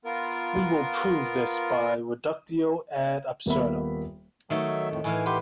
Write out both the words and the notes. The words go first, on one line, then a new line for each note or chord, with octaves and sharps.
We will prove this by reductio ad absurdum.
B3 F4 A#4
D#1 A#3 B3 E5 B5
D#3 F#3 A3 C#5 E5
F2 A2
A2 E3 F5 G#5
G4 B4 F#5 C6